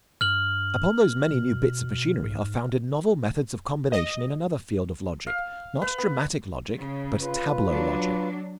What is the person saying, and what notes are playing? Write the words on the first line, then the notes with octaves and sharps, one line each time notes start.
Upon those many new bits of machinery are founded novel methods of combination in another field of logic, not dramatic logic, but tableau logic.
G2 F6 F#7
B2
G#2
D#5
F5
B4
B3
C#3
F4 B4
F#3 D4